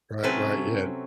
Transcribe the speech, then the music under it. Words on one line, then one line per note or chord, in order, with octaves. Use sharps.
Right, right, yeah,
C3 F#3 C4 C#4 A4 B4